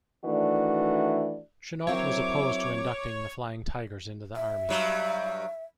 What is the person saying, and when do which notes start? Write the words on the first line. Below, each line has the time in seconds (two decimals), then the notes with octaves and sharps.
Chennault was opposed to inducting the Flying Tigers into the Army.
0.24 D#3 E3 A3 D4 F#4 D5
1.87 F#3 C4 E4 A#4 C#5 D6
4.36 E5
4.69 G2 F#3 G3